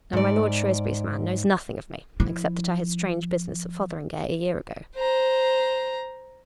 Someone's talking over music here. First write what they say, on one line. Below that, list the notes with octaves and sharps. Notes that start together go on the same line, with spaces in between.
Now, my lord Shrewsbury's man knows nothing of me except that I had strange business at Fotheringay a year ago.
G#2 D5
F3 E4
C5 A#5